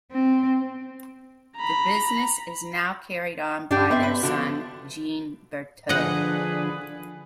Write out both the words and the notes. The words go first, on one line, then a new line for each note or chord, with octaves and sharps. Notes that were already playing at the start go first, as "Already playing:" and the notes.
The business is now carried on by their son, Jean Berthaut.
C4
A#5 B5
G2 D4 G4
B3 C4 E5
B4
D3 F3 F#4
D3 F3 D4 G#4 B4 D#5 F#5